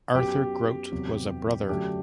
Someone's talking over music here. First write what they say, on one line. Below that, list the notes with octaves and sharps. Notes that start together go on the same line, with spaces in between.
Arthur Grote was a brother.
F#2 F#3 B3 G4
E2 C3 F#3
F#2 D3 F#3 A3 D4 G4